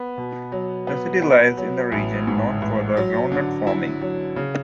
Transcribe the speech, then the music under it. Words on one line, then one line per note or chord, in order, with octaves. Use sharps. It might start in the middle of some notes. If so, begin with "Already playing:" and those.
The city lies in a region known for groundnut farming.
Already playing: B3
B2
F#3
B3
B3
F#3
A1
G#2
A1
F#3
D3
E4
F#3
C#3